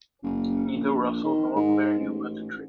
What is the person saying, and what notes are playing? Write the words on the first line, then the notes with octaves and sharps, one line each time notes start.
Neither Russell nor Claire knew about the trade.
F#1
A#1
D#3
G#2
A1